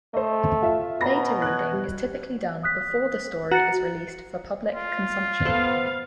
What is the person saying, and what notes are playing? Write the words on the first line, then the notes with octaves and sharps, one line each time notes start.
Beta reading is typically done before the story is released for public consumption.
A3 C5 D#5
F4 E5
B2 A#5 B5 A#6
F#6 G#6
G3
D#6 F#6 B6
F#4 A#5 A6 C#7
F4
B3 A4 C5 F5 F#5